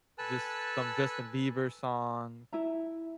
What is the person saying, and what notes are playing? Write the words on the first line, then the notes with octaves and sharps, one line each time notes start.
just some Justin Bieber song,
A4 B4 G#5 A5 E6 F#6
E4 E5 A#5